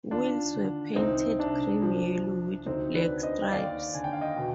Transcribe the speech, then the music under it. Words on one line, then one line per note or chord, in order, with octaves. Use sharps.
Wheels were painted cream yellow with black stripes.
D#2 D4 F4
D3
C2 C4 D#4
C3 D4
F3
F3
D2 C4 D#4
B4 D5
D3
C5 D#5
G5
D#2 D5 F5
D3 G#5
G5
F5
D#5 G5
B2